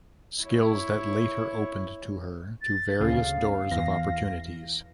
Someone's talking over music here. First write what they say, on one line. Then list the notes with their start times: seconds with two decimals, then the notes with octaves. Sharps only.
Skills that later opened to her to various doors of opportunities.
0.43 E4 C#5
2.61 A6
3.00 D2 C#3 F5
3.71 E2 E3 A#6